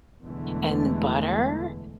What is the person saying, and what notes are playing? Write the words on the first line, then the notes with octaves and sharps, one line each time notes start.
and butter,
E2 B2 D3 E3 G#3 A3